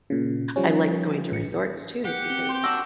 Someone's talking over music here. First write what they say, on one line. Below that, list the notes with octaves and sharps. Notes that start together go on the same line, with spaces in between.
I like going to resorts, too, is because
A#2 C#3
F3 G3 C#4
A1 C#7
G4 F#5
C4
C5 G5
A#3 D4 F#4 E6